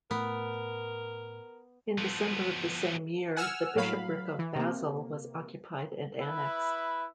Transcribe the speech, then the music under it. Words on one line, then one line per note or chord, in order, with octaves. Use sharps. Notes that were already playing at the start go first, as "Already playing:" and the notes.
In December of the same year the Bishopric of Basel was occupied and annexed.
A2 B3 A#4
F3 B3
F#5 G#5 E6 F6
A2 F#3 F5 B5
E3
C3 A#3
E4 B4 E5